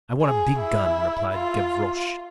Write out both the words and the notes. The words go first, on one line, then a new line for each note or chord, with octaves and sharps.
"I want a big gun," replied Gavroche.
G#4
E4
F4